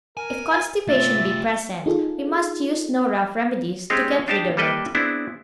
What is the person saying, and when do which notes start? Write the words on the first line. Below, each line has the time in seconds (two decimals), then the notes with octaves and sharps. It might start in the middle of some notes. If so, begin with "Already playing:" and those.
If constipation be present, we must use no rough remedies to get rid of it.
0.17 A#4 G#5
0.88 A3 F4 E5 A6
1.86 D#4 F4 G#4 A4
3.90 G#3 C4 C#4 D#4 G4 G#4
4.28 D4 D#4 G4 C5 A5
4.57 G3 A#3 A4 B4 D#5 G5
4.95 B3 C4 D4 E4 G#4 C5